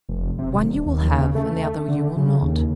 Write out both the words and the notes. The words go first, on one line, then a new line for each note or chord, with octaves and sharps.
One you will have, and the other you will not.
F1
C3
D#1
D#2
C#3
A3
D3
C#3
D#2